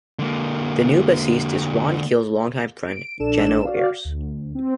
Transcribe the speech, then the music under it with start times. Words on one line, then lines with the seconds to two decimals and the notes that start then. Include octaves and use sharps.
The new bassist is Ron Keel's longtime friend, Geno Arce.
0.19 D3 A#3
2.87 D7
3.19 A#1 D4 A4 E7
3.65 F#4 D5 F5
4.05 D2
4.55 C4